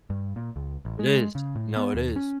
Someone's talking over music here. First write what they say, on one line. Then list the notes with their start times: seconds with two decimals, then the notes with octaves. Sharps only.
It is. No, it is.
0.10 G2
0.36 A#2
0.56 C#2
0.85 A1
0.99 G#3
1.35 C#3
1.55 A2
1.76 B3
1.95 D#2
2.16 C#4